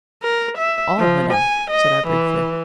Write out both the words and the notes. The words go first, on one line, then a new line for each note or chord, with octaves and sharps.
"All, madame," said I, briefly.
A#4
E5
F3
G#5
D#5
E3